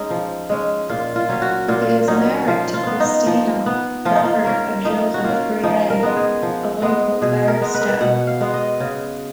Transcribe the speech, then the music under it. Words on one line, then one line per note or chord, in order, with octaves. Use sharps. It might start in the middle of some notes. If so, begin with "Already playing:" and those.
He is married to Cristina, daughter of Joseph Triay, a local barrister.
Already playing: G#3 C#4 D#4
F3
G#3 C#4
A#2 F4
F4
F#3 C#4
F#4
A#2 F4
F#3 C#4 D#4
F3 F4
F4
B3
D#4
F3
B3
F3 F4
D#4
F4
A#3 C#4 A#4
F3 D#4
F#4
A#3 C#4 F4
F3 D#4
A#4
G#3 B3
G#4
F3
G#3 B3
B2 G#4
A#4
G#3 B3
B4
A#4
B4
B2 F#5
F5
G#3 B3
D#5
C#3